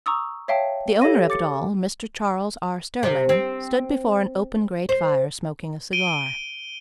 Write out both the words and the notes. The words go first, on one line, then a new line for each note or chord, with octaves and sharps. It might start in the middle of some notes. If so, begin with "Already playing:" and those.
The owner of it all, Mr. Charles R. Sterling, stood before an open grate fire smoking a cigar.
A#5 C#6 D#6 E6
C#5 E5 F5 G5 A5
G4 A4 C#5 F5 A#6 D#7
D6 A6 C#7
C3
C4
C5
D7 D#7 G7